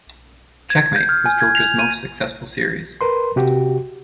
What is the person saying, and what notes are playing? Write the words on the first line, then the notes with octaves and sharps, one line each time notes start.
"Checkmate" was George's most successful series.
G#6
G6
F6
G#5
G#6
F7
D#7
A#4 B4 C6
C3 F#4 G4